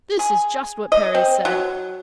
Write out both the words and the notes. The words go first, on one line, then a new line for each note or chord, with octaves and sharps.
This is just what Perry said.
G#4
D#5
C4
F#3